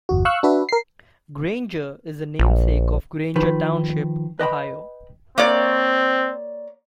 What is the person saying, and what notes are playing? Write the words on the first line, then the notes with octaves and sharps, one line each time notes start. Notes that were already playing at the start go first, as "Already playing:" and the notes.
Granger is the namesake of Granger Township, Ohio.
G1 E2 F#4
F5 C#6 E6 F#6
D4 F#4 B4 E5
A#4 C7
A#1
D#3 F3 B4
B4 D#5 G5 B5
A#3 C4 C#5 D5